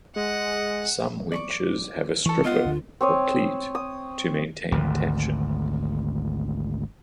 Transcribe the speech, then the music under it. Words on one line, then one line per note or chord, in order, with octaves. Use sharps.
Some winches have a "stripper" or cleat to maintain tension.
G#3 D#5 F#5
D5 C#6 D6
E3 A4 C#6
B3 F4 D#5 F5 F#5
D2 D3
C4 C#5 D#6
D#6
G#1 D2